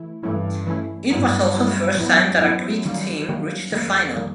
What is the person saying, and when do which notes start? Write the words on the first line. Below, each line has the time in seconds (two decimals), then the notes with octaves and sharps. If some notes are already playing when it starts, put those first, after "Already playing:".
It was also the first time that a Greek team reached the final.
Already playing: E3 A3 E4
0.23 G2 E3 A3 C#4 E4
0.67 E3 A3 C#4 E4
1.10 G2 F#3 B3 E4
1.54 F#3 B3 E4
1.97 F#2 F#3 B3 E4
2.41 F#2 F#3 B3 E4
2.85 D#3 G3 A#3
3.29 D#3 G3 A#3
3.72 F2 D#3 G3 A#3
4.16 D#3 G3 A#3